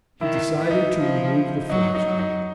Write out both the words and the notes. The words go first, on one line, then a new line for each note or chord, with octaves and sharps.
He decided to remove the fly-screening.
D#3 E4
E3
D#4
F3
F#3 D#4
D#4
F#3
D#4